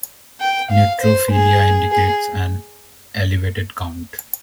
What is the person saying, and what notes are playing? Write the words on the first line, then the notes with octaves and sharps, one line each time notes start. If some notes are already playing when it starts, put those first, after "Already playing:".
Neutrophilia indicates an elevated count.
G5
F5
C5
G#4
G#4